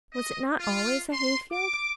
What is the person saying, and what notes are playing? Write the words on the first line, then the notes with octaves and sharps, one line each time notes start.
Was it not always a hay-field?
D#5
F4
C6
D6